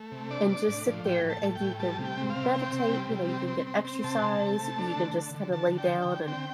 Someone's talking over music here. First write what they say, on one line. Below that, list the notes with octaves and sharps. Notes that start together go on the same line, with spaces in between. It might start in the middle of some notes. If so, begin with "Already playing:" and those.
and just sit there, and you can meditate, you know, you can get exercise, you can just kinda lay down, and
Already playing: A3
C3
D4 D5
D4
A2
F3
A2 G5
A2
A5
A2
G5
A2
G3 A5
C3
G5
C4
F5
C3
C4 G5
C3
G5
G3
C3
C4
C4
C4
C4
C3 A5
C3
C3
A3
D4
D3
D3
D3
D3 A5
D3
G5
D3
G5
D3
C4 G5